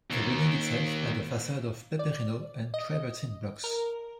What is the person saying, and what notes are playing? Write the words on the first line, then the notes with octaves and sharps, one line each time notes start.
The building itself had a facade of peperino and travertine blocks.
D#2
D5
D#5
A#4